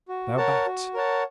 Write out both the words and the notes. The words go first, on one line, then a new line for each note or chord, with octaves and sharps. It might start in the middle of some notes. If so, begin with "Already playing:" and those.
Thou bat!
F#4
A#4 C#5 F#5 A5
F#4
A#4 C#5 F#5 A5